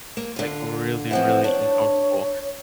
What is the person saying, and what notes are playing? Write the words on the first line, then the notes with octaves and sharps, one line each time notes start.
like, really, really uncomfortable,
A#3
D3 F4
E3 F3 C4 F#5
D4 C#5